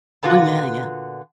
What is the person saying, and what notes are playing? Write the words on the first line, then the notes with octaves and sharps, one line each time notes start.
Oh, yeah, yeah.
A#2 D3 B3 F4 F#4